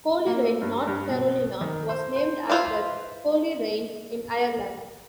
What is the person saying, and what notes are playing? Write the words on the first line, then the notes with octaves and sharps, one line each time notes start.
Colerain, North Carolina, was named after Coleraine in Ireland.
A#3
A3
G2
G2
B2
D#3
C5
C5
D4 E4 F4 B4 C5